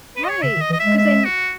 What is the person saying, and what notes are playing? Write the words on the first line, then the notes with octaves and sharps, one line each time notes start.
Right, 'cause then
B4
D#5
C#5
C#3 E5
D#3
D#5
E3
D#5
G#3 E5
E5
F#4